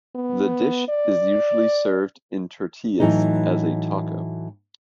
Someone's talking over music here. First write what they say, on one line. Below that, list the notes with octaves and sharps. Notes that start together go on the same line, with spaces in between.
The dish is usually served in tortillas as a taco.
B3
D5
A2 E3 F#3 D#4 B4